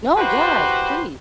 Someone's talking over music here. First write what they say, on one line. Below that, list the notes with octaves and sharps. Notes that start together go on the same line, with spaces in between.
No, yes, please.
E4 F#4 G4 B4 C5